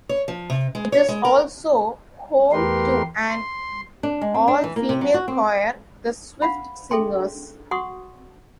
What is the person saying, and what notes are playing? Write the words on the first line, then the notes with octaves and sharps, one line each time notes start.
It is also home to an all-female choir, The Swift Singers.
C#5
F3
C3
G#3
C#5
G#3
A#4
E2 A3 G4 A#4 B4 C6
C6
D4
G#3
C4
D4
E3
A#3
C3
F#3
F#4
C4
F5 F#5 B5
G#4 A4 E5 G5 C6
F#4 F#5 C6 C#6 D#6